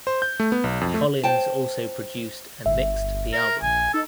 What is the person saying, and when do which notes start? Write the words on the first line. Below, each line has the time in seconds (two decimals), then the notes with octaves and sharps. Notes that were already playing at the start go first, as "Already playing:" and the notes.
Collins also produced and mixed the album.
0.07 C5
0.22 G6
0.40 A3
0.52 B3
0.64 B1
0.81 F2
0.94 A3
1.23 C5 G5 A5
2.66 G1 E5
3.33 A#4
3.62 A#1 G#5
3.94 D#4 A4